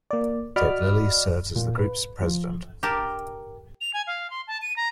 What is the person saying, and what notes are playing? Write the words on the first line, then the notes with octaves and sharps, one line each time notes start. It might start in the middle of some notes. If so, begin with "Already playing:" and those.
Ted Lillie serves as the group's president.
A#3 D5
F#4 D5 D#5 B5 D6 F6
A#2
B4
F3
G4 A#4 A5
F7
G#5
F5
C6
A5
D#7
A#5